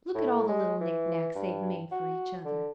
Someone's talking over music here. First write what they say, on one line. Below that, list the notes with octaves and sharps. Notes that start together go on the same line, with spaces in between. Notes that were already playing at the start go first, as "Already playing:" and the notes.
Look at all the little knick-knacks they've made for each other.
A2
G#3
E3
G2
F#4
D3